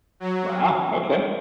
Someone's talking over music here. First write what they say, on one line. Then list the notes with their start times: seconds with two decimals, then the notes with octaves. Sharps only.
Wow, okay.
0.20 F#3